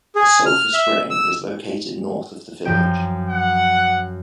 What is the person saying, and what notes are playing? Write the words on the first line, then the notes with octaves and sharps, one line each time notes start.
A sulfur spring is located north of the village.
G#4
F6
E5
E6
F#2 F3 G5
F#5